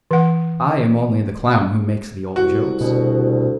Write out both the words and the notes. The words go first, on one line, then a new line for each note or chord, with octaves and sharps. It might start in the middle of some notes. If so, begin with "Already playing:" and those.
"I am only the clown who makes the old jokes."
E3 F#5
C2 F#4
D2 B2